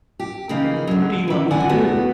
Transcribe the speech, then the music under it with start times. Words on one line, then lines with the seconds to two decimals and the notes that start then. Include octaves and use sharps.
"What do you want me to do?"
0.20 G4
0.49 C#3 E3 F3 A#3 D#4
0.87 D3 F#3
1.28 C#3 E4
1.51 D3 D5 F#5 G#5
1.69 B3 F#4 G4